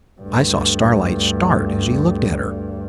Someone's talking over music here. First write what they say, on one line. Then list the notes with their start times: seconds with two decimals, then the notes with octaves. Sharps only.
I saw Starlight start as he looked at her.
0.21 D2 G2